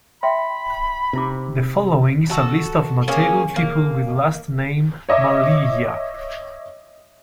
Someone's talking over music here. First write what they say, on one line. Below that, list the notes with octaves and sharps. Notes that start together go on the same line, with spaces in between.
The following is a list of notable people with last name Mallya.
E5 G5 B5 C6
C3 D#4 E4 D6
F#4 A4
A#3 C#4 G#4
A#3
C#5 D#5 E5 D6